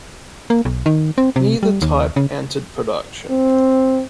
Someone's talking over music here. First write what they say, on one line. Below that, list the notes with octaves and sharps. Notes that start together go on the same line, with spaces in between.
Neither type entered production.
A#3
B1
D#3
C4
C3
G3
D#2
C#3
C4